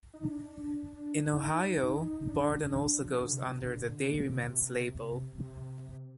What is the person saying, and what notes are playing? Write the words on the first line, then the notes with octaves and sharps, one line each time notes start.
In Ohio, Borden also goes under the Dairymens label.
D#4
D4
D#4
D4
F3
F3
D3
C3
D3
C3
A#2
D3
C3
C3